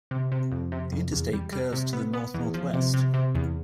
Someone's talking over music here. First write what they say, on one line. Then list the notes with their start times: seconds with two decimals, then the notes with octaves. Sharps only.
The interstate curves to the north-northwest.
0.11 C3
0.32 C3
0.52 F2
0.72 C3
0.93 F2
1.12 E2
1.33 G3
1.53 G3
1.73 C3
1.93 B3
2.14 B3
2.34 E2
2.54 F3
2.74 C3
2.94 C3
3.14 C3
3.35 E2